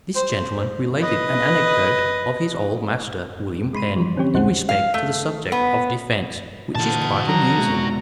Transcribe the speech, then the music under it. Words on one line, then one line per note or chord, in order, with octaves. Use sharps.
This gentleman related an anecdote of his old master, William Penn, in respect to the subject of defence, which is quite amusing.
C5
B4 D#5
G#3 B5 C6 D#7
E3 F3 G3
D3 C4 C#4 G4 C#5
B1 E2 A#2 D#4 C5 F#5
F5
A3
B3
A#2 D3 E3 F#4 A5
F#3 A#5
B2 G#3